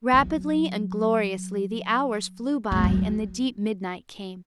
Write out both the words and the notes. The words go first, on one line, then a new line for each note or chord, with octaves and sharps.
Rapidly and gloriously the hours flew by and the deep midnight came.
F#3
G#3
F#3